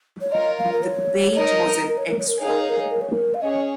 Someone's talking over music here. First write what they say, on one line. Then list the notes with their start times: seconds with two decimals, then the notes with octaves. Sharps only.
The bait was an extra.
0.21 C#5
0.32 F4 A#4 C#5 D#5
0.58 F5
0.72 A#4
0.84 C#5
1.35 D#4 A#4 D#5
1.88 A#4
1.98 C#5
2.08 A#4
2.18 C#5
2.28 A#4
2.39 D#4 G#4 C#5 F5
2.49 A#4
2.60 C#5
2.69 A#4
2.80 C#5
2.91 A#4
3.01 C#5
3.12 A#4
3.34 F5
3.42 C#4 G#4 C#5 D#5